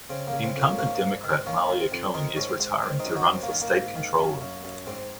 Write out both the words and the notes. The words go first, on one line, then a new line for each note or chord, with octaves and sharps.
Incumbent Democrat Malia Cohen is retiring to run for state controller.
C#3 C4
A#3
C#3
C4
F2
A#3 C#4
G#2 A#3 C#4
A#3
G#2
D#3
C4
D#3 A#3 C#4
D#3
C4
F2
D#3 C4 D#4
G#2 C#4
C4
G#2
D#3 C4
C4 D#4
F#2
D#4 F#4
F#2
C4
A#3
D#3
A#3
G#2
D#3
F#2
F#2
F#2
G#2 C4